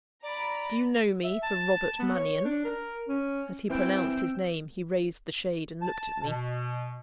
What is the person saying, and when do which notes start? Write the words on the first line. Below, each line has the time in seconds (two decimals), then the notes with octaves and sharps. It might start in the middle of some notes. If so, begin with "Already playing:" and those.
"Do you know me for Robert Mannion?" As he pronounced his name, he raised the shade and looked at me.
0.23 D5 A#5 B5
1.24 E5
1.43 A5
1.99 B3
2.15 C#5
2.45 D4
2.65 A#4
3.08 C#4
3.70 E3 C4 G5 E6
5.82 A5
6.24 B2